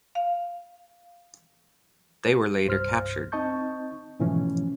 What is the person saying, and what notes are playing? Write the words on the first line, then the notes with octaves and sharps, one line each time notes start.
They were later captured.
F5
C2 G2 C5 F6
C4 D#4 D#5 A5 C#6 G6
G#2 B2 E3 F3 A3 C#4